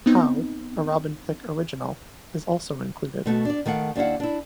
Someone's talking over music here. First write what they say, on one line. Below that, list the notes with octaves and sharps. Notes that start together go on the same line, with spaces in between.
"How", a Robin Thicke original, is also included.
B3 C4 D#4
B2 A3 F#4
D4 D5
D#3 A3 F5 F#5
D#2 D4 E4 F5 F#5
D4 E4